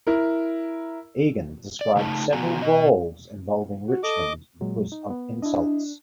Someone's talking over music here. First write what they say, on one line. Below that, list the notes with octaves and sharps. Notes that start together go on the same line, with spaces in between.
Egan described several brawls involving Richmond because of insults.
E4 A#4
D5
C#3 A3 D#4 G5 A5
C3 F3 B3 F#4 G#5 A#5
B2 D#5
F#4
A4 D#5 D6
A#2 F#3 G#3
D#4
B3
D4 E4 D#5